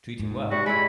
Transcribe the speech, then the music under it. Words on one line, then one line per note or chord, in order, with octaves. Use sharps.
Treat him well!
G#2
G3 F#4
G#3 E4 B5